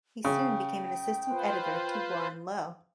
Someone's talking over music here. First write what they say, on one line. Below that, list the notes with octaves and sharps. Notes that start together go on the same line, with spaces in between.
He soon became an assistant editor to Warren Low.
C#3 G5
F4 B4 C5